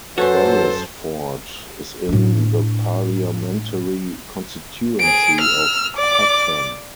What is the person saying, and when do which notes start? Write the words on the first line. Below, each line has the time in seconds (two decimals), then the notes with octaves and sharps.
Barrasford is in the parliamentary constituency of Hexham.
0.18 F#2 F#3 F#4 A4 B4 C5
2.09 A2 D4
5.00 G#4 D7
5.40 E6 F6
5.97 D5 D6